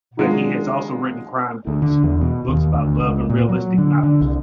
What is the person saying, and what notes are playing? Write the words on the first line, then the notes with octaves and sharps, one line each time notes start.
But he has also written crime-books, books about love and realistic novels.
D#3 F#3 G#3 D4 D#4 F4
D2
D3
E2
B2
D#2
D2
C#2
A#2
F#3
D3
D3
C2